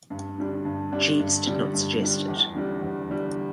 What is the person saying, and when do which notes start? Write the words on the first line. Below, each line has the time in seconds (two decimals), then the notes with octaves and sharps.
Jeeves did not suggest it.
0.10 G2
0.38 D3 G3 D4
0.65 G2
0.92 D3 G3 D4
1.19 G2
1.46 D3 G3 D4
1.74 G2
2.00 D3 G3 D4
2.28 E2
2.55 D3 G3 D4
2.82 E2
3.09 D3 G3 D4